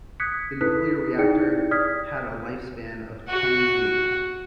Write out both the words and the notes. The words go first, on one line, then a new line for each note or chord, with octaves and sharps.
The nuclear reactor had a lifespan of ten years.
D#6 F#6 G#6 B6 C#7
E4 A4 B4 D#6 F#6 B6
D#4 E4 G#4 D5 G5 C#7
D5 D#6 F6 G#6 B6
F#4 F#5